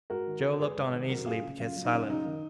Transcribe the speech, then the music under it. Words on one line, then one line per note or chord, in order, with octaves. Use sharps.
Joe looked on uneasily, but kept silent.
G#2 F#4 A#4
D#3
D#3
G#2 G#4 B4
G#2
D#3
F#2 F#4 A#4
C#3 F4 G#4
C#3
F#2 F4
F#2
D#4
C#3
F#2 D#4
D#3